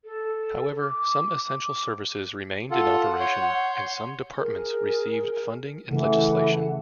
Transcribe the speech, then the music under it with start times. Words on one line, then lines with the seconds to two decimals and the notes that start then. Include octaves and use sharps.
However, some essential services remained in operation and some departments received funding in legislation.
0.04 A4
0.80 D6
2.71 F4 A4 F#5
3.20 C#5 C6 G6
4.38 G#4 A#4
5.91 C#3 E3 A3 F#5